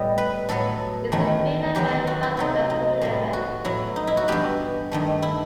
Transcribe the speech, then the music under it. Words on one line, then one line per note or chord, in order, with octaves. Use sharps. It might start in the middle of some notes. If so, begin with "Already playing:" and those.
It is a field event rather than a swimming event.
Already playing: A2 G3 B3 D#5
B4
A2 F#3 B3 A4
E2 D#3 A3
E2 D#3 F#3 B3 G4
F#4
E4
C3 F#3 A3 D#4
D#4
A2 G3 B3
F#4
A2 F#3 B3 E4
D#4
E4
F#4
G2 E3 B3 G4
G2 D#3 A3
E4